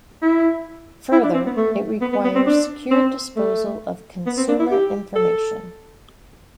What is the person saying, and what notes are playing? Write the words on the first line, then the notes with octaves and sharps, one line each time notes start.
Further, it requires secure disposal of consumer information.
E4
E4
D4
C4
B3
A3
B3
B3
B3
C4
D4
C4
A3
B3
C4
D4
E4
G4
A4